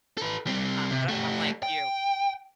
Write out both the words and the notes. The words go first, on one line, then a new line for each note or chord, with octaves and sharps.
Um, but a I'm like you
A4 B4
G3 C4
C3
A3 G4
G5